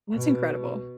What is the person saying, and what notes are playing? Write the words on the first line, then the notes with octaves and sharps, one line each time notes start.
That's incredible.
B2